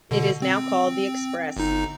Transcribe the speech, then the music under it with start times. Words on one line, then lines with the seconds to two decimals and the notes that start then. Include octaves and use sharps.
It is now called the Express.
0.11 B2 D3
0.42 C4
1.57 G1 D#4